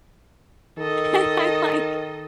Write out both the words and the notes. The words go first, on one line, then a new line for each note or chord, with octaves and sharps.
and I'm like,
D#3 A4 D#5